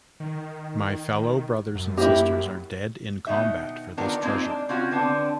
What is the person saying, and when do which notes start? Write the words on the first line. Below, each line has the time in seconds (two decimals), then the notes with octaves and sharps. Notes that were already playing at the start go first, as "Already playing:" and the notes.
My fellow brothers and sisters are dead in combat for this treasure.
0.20 D#3
1.75 F#2
1.97 A#3 E4 G4
3.27 B2 D#3 D#4 E5
3.97 D#3 B3 D4 F4 A#4 A#5
4.23 G#3 A#3 C4 D#4 F4
4.44 D4
4.69 C4 C#4 F4 F#4
4.91 D3 B3 C4 D4